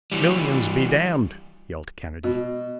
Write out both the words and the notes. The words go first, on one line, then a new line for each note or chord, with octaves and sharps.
"Millions, be damned!" yelled Kennedy.
E3 G3
B2